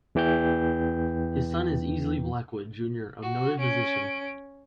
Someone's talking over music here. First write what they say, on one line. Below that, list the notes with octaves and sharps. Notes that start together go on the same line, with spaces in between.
His son is Easley Blackwood Junior a noted musician.
E2 E3 G5 G6
F#4
C#4 D7